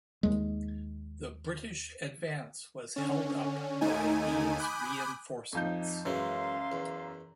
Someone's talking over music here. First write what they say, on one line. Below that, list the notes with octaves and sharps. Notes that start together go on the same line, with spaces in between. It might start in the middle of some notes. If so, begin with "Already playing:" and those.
The British advance was held up by these reinforcements.
D#2 G#3
D3 C#4
D#2 A3 D#4 G#5 D#7
G#5 B5 D6 D#6 F#6 G6
F2 F3 D#4 G6
F#2 E3 F#3 G#3 F5 C6
E2